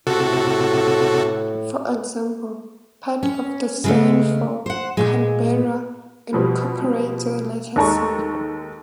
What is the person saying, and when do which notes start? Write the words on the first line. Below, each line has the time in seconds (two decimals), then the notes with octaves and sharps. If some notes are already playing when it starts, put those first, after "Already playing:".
For example, part of the sign for "Canberra" incorporates the letter "C".
0.07 A2 C3 F#4 A4
3.23 C#4
3.84 C#3 G#3 A3
4.66 C5 F#5
4.97 A#2 G#3
6.33 B2 F3 G3
7.76 D#2 G#3 A4 A#5 C#6